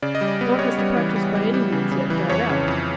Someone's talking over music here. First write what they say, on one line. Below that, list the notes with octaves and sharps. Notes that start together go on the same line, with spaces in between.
Nor has the practice by any means yet died out.
C#3 D5
D#5
G3
D5
B3
G3 C#5
G3
E3
G3
G3
G3
C#3
C#3
E3
F2 C#5
C#3
F2